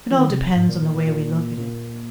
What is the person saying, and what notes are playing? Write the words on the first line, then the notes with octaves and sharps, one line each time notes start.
It all depends on the way we look at it.
F3
D#3
C3
G#2
A#2
A#2
A#2
A#2
A#2